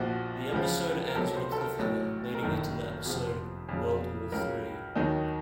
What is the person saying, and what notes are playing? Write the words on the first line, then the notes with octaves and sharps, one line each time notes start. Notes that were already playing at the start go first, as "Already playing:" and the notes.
The episode ends on a cliffhanger, leading into the episode "World War Three".
Already playing: A#1 A#2 F3 F#4
C#2 C#3 F3
A#4
C#2 C3 F#3 A4
C5
A4
A#4
A1 A2 F#3
A#4
F#1 F#2 D#3 F#3 A4
F2 C3 F3 F#4
C5
F2 C#3 F#3
C#2 C#3 F#3 A#4
D#2 D#3 F#3 D#4